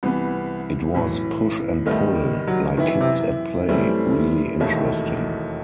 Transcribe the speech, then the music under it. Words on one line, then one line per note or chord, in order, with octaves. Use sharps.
It was push-and-pull, like kids at play, really interesting.
C2 C3 E3 B3
B1 A2 E3
D#2 D#3 G3 A3 B3 D#4
F#3
F#2 D#3 E3 B3 E4
C3
F#2 E3 G3 A3 C4 E4
E1 D#2 D#3 A3 E4